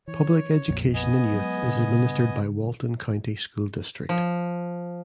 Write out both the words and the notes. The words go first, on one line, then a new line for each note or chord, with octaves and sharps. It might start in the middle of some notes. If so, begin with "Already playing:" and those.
Public education in Youth is administered by Walton County School District.
E3 C#5
A#1 F2 A#2
B3 D#5 G#5
F#3 G#3
G2 C#3
F3